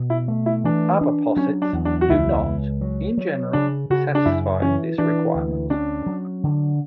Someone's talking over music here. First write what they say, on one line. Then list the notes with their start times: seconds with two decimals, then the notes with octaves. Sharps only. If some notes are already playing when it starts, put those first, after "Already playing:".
Other posets do not, in general, satisfy this requirement.
Already playing: B2
0.10 E4
0.28 A3
0.46 E4
0.64 E3 D4
1.01 D4
1.36 F#3 C#4
1.62 D4
1.73 E2
1.85 D4
2.01 F#4
2.09 C#2 E4
2.45 C#2
2.81 F#3
3.17 F#3
3.53 C#3 D4
3.90 C#3 F#4
4.15 D4
4.26 F#2 E4
4.62 E3 C#4
4.98 E3 D4
5.35 D2
5.70 C#4 D4
6.06 F#3
6.44 D3